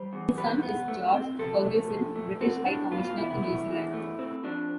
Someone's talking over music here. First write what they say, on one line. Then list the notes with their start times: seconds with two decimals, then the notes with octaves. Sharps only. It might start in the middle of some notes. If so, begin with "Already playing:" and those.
His son is George Fergusson, British High Commissioner to New Zealand.
Already playing: G3 C5
0.13 E2
0.38 G3 B4
0.63 B3
0.88 A3
1.14 C4
1.39 F3 A4
1.65 A3
1.90 F3
2.16 A3
2.40 B3 C4
2.66 A2 D4
2.91 B3 F4
3.05 F4
3.17 E2 E4
3.30 E4
3.42 A3 E4
3.68 E2
3.94 A3
4.19 C4
4.44 F3 D4